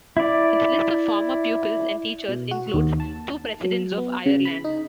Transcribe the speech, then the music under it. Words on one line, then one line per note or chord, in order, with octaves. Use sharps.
Its list of former pupils and teachers includes two Presidents of Ireland.
E4 D5
B2
F#4
D#2
A5
F#3
B3
C#3
B5
D#4